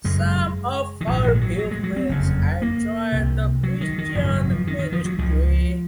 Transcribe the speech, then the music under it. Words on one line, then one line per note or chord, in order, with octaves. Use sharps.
Some of her pupils and joined the Christian ministry.
F#1 F#2 C#3 G#3
D#3
A#1 G#2 F3
D#3
G#3
F#3
F#3
G#3
F#3
C4
F#1 F2 C#3
A#3
C2 C3
F#3
D#3
D#3
G#1 F#2 C#3 F3
F#3
F3
D#3
D#3
F3
F#3
C#2 C#3 F3